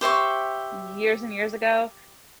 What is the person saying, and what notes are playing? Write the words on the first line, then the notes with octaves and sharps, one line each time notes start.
Years and years ago,
G4 C5 E5 C#6